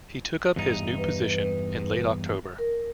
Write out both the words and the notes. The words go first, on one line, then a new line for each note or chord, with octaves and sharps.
He took up his new position in late October.
E2 G2 D#4
B4
A#4